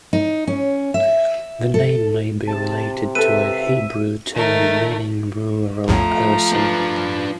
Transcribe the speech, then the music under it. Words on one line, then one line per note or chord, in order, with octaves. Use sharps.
The name may be related to a Hebrew term meaning rural person.
D#4
C#4
E5
A4
C3 A5
A4 B4 E5 D#7
D#3 A3 A#4
A#1 E2 A2 F3 A3 A#5
D4 B4